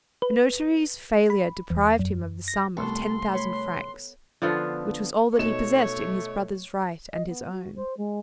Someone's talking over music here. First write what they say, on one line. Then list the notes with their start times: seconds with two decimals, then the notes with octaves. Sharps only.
A notary's failure deprived him of the sum of ten thousand francs, which was all that he possessed in his brother's right and his own.
0.22 B4
1.30 B5
1.70 E2
1.99 F#2
2.48 A#6
2.77 C2 A3 B3 A4 C6
3.33 B4 C#5
4.42 D3 F3 B3 F4
5.38 B2 A3 D#4 C#5 E7
7.12 D#5
7.26 B3
7.51 F#4
7.75 C5
7.97 G#3